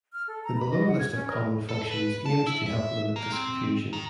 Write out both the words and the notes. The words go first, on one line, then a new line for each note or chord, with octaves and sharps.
The below list of common functions aims to help limit this confusion.
F6
A4
A#5
B5
D#5
F#5
G#6
C#4
A#4
A4
B4
A5
E4
E5
A#3
C4
D#3